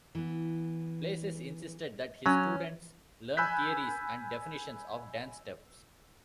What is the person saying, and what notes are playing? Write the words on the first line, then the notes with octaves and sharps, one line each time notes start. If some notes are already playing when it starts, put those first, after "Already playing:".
Blasis insisted that his students learn theories and definitions of dance steps.
E3 B3
F#3 C#4
G#5 B5 E6 F#6 G6 B6